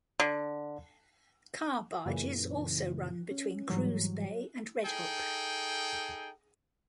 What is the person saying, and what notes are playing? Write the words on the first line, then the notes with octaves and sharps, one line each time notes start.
Car barges also run between Cruz Bay and Red Hook.
D3
F#2 A#2 C#3 E3
C#4
G#2 E3 F#3 G3
D#4 G#4 A4 G5